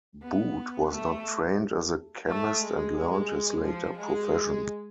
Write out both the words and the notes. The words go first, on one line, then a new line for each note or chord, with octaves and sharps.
Boot was not trained as a chemist and learned his later profession.
B3
A3
A3
G#3
G#3
F3
G#3